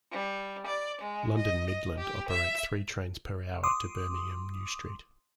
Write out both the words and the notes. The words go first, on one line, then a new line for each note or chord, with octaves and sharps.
London Midland operate three trains per hour to Birmingham New Street.
G3
D5
G#3
D#5
D#5
G4
E5
C6 D6 D#6